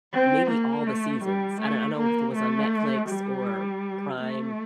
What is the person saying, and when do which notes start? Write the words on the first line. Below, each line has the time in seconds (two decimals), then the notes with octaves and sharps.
maybe all the seasons, I don't I don't know if it was on Netflix or Prime.
0.13 C4
0.50 A#3
0.87 A3
1.24 G3
1.61 A3
1.98 A#3
2.35 A3
3.09 G3
4.19 A3